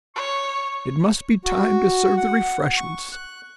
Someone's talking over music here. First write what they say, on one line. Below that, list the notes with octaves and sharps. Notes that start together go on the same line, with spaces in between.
It must be time to serve the refreshments.
C#5 C#6
F#4
F#5
C#6
F#6